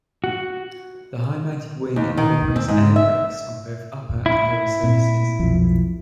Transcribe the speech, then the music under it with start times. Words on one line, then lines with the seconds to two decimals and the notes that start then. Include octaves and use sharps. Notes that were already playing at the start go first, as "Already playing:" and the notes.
The high-mounted wing incorporates air brakes on both upper and lower surfaces.
0.24 F#4
1.96 D#2
2.17 D#3
2.56 C4
2.68 G#2
2.96 E5
4.26 E4
4.83 A#2 C4
5.40 B1 F2 F3